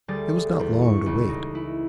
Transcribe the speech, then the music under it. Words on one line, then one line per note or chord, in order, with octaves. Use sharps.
It was not long to wait.
D2 G3 G#4 A6
E2
C#6
C#2
D#4
E4